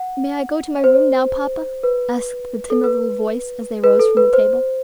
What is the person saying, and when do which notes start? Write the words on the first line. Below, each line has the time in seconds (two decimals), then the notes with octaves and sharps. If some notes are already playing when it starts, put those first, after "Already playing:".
"May I go to my room now, papa?" asked the timid little voice as they rose from the table.
Already playing: F#5
0.84 C5
1.83 B4
2.70 A4
2.84 B4
3.84 B4
4.00 A4
4.17 B4
4.33 C5